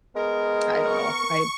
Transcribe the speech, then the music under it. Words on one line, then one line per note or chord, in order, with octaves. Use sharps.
I don't know. I
G#3 B3 A#4
C#6